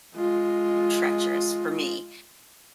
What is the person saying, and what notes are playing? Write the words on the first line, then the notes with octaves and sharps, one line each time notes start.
treacherous for me,
G#3 F4